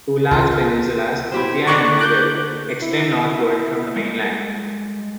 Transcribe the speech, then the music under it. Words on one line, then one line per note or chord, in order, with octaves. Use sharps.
Two large peninsulas, Boothia and Melville, extend northward from the mainland.
C#2 F4
E4 G4 C5
D3 A#3 B4 C#6 D6 F#6
D6 F#6 G6
E4
G3 G#3 A4 A#4 G5